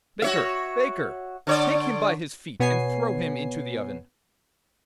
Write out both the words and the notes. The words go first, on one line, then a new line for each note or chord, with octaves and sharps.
'Baker, baker, take him by his feet, and throw him into the oven!'
F#4 C#5 E5
D3 C#5 D5
B2 B3 C#5 G#5 C7